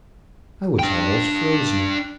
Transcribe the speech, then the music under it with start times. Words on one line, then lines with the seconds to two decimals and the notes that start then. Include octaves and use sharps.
I was almost frozen.
0.79 D4 G5